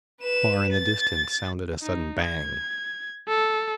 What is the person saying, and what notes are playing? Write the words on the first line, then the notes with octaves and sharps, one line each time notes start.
Far in the distance sounded a sudden bang.
B4 E7
A6
D#4
G#6
A4